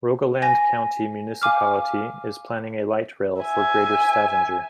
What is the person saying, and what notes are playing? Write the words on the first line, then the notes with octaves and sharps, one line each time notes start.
Rogaland County Municipality is planning a light rail for Greater Stavanger.
G#5 A#6
F5 G#5 D6 F6
E5 G#5